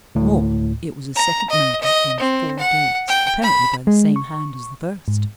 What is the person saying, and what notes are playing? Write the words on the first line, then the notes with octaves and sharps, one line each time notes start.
More, it was a second murder in four days, apparently by the same hand as the first.
D2 A2
A#5
D#5
D#5
C4
F#5
G5
B5
G#3
C#6
G#2